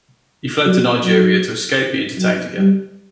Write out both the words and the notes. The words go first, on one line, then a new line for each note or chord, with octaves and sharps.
He fled to Nigeria to escape being detained again.
F#3
F#3
F#3
G3